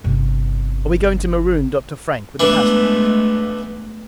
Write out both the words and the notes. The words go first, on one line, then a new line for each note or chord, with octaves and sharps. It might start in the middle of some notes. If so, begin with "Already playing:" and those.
"Are we going to maroon Dr. Frank with the passengers?" I asked.
G1 C3
E3 G#3 A3 B3 D4